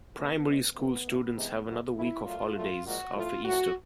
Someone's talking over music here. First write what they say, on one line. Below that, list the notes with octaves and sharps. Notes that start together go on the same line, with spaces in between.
Primary school students have another week of holidays after Easter.
A#2 F#3 A3 B3
D3 F3 G#3
D3 F3 A3 B3
A2 F#3 A3
C3 E3 G#3
B2 F#3 A3
C#3 E3 A3 E4
A#2 F#3 A3 F4
A#2 F#3 A3 F4
A#2 F3 G#3 F#4
A2 F3 A3 F4
A2 F3 A3 F#4